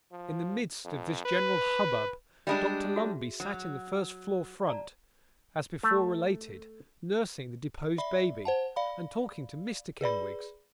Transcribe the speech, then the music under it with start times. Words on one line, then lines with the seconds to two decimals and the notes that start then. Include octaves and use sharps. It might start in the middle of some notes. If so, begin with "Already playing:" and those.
In the midst of this general hubbub, Dr Lumbey sat in the first-floor front, as before related, nursing the deposed baby, and talking to Mr Kenwigs.
0.12 F3
0.85 F2
1.25 B4
2.47 G3 G#3 D4 D5 E5 B5
2.96 F#4 G#4 E5
3.40 F#3
4.67 D5 A5 A#5
5.83 A3
7.98 D5 E5 B5
8.45 C5 F#5 A5
8.76 D5 F5 B5
10.01 G#4 B4 D5 B5